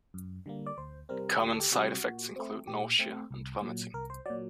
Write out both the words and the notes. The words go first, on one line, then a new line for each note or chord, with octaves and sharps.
Common side effects include nausea and vomiting.
F#2
D3 G3 A#3
D5
D2 C5
C3 G3 C4 A#4
D2 G4
A4
G4
C3 G3 C4 F#4
A#2
A3 C4
A#2 G4
A3 C4
C2
A#2 F#3
C2 A#4
C5
A#2 F#3 D5